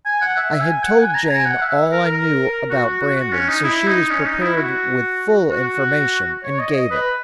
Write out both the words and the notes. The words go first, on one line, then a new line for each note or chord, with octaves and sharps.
I had told Jane all I knew about Brandon, so she was prepared with full information, and gave it.
G#5
F#5
E5
G#5
F#5
G#5
A#5
G#5
F#5
E5
A#4
A#4
F#4
F#4
F#4
F#4
C#4
D#4
E4
D#4
C#4
D#4
E4
F#4
F#4
C#5
D#5
D#5
B4